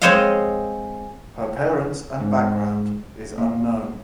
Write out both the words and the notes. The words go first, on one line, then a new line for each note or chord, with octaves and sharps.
Her parents and background is unknown.
G#3 C4 C5 C#5 D#5 F5
G#2
A#2